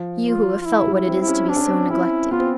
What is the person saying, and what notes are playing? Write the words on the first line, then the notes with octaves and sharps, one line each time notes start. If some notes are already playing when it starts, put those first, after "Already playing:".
You who have felt what it is to be so neglected!
Already playing: F3
F4
F4
E4
G3
E4
C4
E4
C#4
C4 D4
C#4
C4
C#4 E4
B3 F4
C4